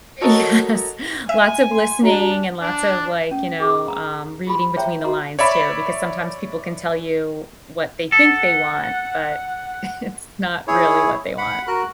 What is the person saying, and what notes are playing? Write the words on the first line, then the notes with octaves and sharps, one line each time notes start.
Yes. Lots of listening and lots of, like, you know, um, reading between the lines, too. Because sometimes people can tell you what they think they want, but it's not really what they want.
F#4 A4 A#4 C#5 D#5
E5 G#5
C6
D4 F#4 A#5
D4
C#4
G#4 D6
A#5
F4 G4 B5 C6
C5 C#5 E5 G5 A#5
F#4 A#5 C6
C#5 D5 E5 B5
A4 F#5
E4 G#4 C#5
F#5 B5
F#4 A#4 F#6